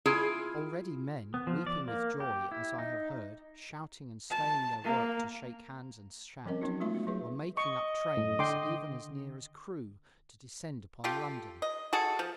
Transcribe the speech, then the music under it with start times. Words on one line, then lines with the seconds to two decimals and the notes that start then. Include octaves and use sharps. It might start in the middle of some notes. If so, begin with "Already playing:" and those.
Already men, weeping with joy, as I have heard, shouting and staying their work to shake hands and shout, were making up trains, even as near as Crewe, to descend upon London.
0.06 E4 F4 G#4
1.34 B3
1.47 F3
1.67 D5
1.88 A#3
2.20 G4
2.52 E4
2.79 D#4
4.30 A5
4.84 A#3
6.46 F3 G3 C4 C#4 A#4 D#5
6.61 F#3 B3 C#4 D#4 F#4
6.80 G#3 A3 F4 E5 C6 C#6
6.95 F#4
7.07 F#3 G#4 B4 E5 C#6
7.57 D#5 C#6
8.17 A2
8.39 D3 G5 C6 D6
11.04 F4 G4 A4
11.62 D#5
11.93 F#4 G#4 A4
12.19 F3